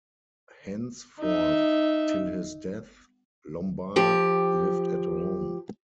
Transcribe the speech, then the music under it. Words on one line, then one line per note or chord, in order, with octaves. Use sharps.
Henceforth till his death, Lombard lived at Rome.
D#4 E5
F3 G4